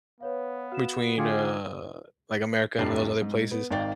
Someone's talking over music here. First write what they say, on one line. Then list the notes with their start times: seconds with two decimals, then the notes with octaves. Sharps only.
between, uh, like, America and those other places
0.21 B3 B4 C#5 F5
0.72 F#4 F5 E7
1.18 D3 F4 G#4 G5 D6 G#6
2.79 F1 G2 F3 G3 D4 C7
3.22 G#2
3.51 B3
3.71 G#1 D#3 D5 F5 G5 A6